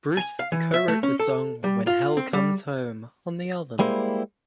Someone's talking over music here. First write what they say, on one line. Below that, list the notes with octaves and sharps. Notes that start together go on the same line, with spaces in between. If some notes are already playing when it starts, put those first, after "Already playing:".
Bruce co-wrote the song "When Hell Comes Home" on the album.
G#5
F5
E3
E5
A3
C#4
A4
G3
F4
C4
G3
G3 G#3 A#3 E4 C5